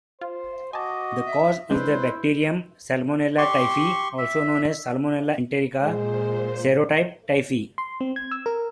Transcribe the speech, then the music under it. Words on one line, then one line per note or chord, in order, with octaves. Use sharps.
The cause is the bacterium "Salmonella" Typhi, also known as "Salmonella enterica" serotype Typhi.
F4 C5
F#4 D#5 G#5 A5 D6
E5
F3 G#3 D4 E4 B4 C5
G4 C6 C#6
E5
A#2 G#3 C5
C6
C4
G#6
E6
A#4